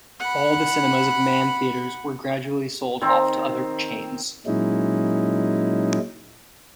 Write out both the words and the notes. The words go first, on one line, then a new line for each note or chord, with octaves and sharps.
All the cinemas of Mann Theatres were gradually sold off to other chains.
F#5 B5
D#3 C4
A#2 F#3 G#3 C#4 D#4 E4